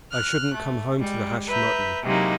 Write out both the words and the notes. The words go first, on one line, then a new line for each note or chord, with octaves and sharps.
I shouldn't come home to the hashed mutton.
F6 F#6
A3
G3 G#3
B4 E5 A#5 G6
C3 F#3 G#3 A#3 D#4 E4